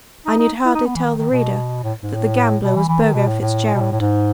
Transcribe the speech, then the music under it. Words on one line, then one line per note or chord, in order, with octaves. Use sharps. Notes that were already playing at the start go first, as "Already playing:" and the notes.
I need hardly tell the reader that the gambler was Burgo Fitzgerald.
D#4
D#4
E4
D#4
B3
E3
D#3
D#3
B2
A2
G#2
A2
B2
E3
E3
D#3
B2
A2
A2
B2
A2
A2
G#2